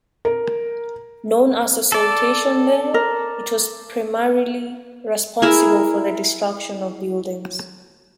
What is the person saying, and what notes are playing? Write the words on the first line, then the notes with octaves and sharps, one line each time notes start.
Known as the saltation layer, it was primarily responsible for the destruction of buildings.
A#4
A4 D5
A#4
E4 G#4 A#4 E5